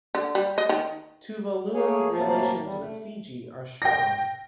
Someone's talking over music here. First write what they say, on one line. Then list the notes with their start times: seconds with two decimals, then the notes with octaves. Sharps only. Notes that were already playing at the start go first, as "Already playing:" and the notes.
Tuvaluan relations with Fiji are strong.
0.15 D3
0.35 G3
0.58 D#5
0.69 D#3
1.74 A3 A#3 G#4 C#5 G#5
2.14 A2 C3 F#3 A#3 A5
2.64 E2 G3
2.79 A3
3.82 G5 A#6